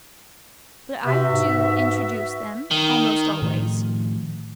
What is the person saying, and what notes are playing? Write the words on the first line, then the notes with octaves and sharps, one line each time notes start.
But I DO introduce them--almost always.
C3 B3 F#4 E5
G#2
D#3
A2 D#3 F3